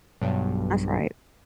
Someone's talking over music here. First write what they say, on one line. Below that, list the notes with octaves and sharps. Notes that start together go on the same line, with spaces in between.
That's right.
B1 G2